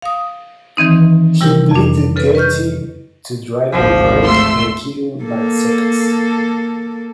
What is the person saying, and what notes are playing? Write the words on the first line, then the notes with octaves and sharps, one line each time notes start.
He pleaded guilty to driving drunk and killing Balzekas.
F5 D#6
D#3 E3 C4 D#4
C3 G3 E4 G4 A#4
F2 D4
C#3 A4 B4
B4 D#5 C#6 F6 G6
G#1 D2 F3
A3 C6 E6
A#3 A4